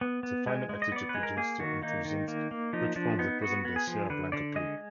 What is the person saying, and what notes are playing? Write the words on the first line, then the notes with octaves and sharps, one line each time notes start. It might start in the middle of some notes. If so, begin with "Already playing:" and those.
The final activity produced the intrusions which form the present-day Sierra Blanca Peak.
B3
B3
G#3
G#3
D#5
B3 D5
B4
G#3
A#4
A#3 G#4
D#3 F#4
A#3 D#4
D#3
A#3
A#3
F3 D#4
F3 D4
B3 D#4
B3 F#4
B3
G#4
F3
D3 B4
D3 D5
G#3 D#5